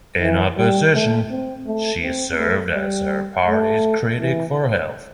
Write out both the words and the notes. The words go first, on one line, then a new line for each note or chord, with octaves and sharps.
In opposition, she served as her party's Critic for Health.
E3
G3
A3
C4
A3
C4
A3
G3
A3
E3